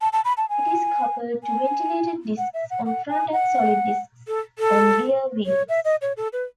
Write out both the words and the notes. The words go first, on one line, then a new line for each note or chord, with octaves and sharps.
It is coupled to ventilated discs on front and solid discs on rear wheels.
A5
A5
B5
A5
G#5
G#5
F#5
E5
F#5
F#5
G#5
F#5
A4
A4
C#5
E5
D#5
C#5
A4
B4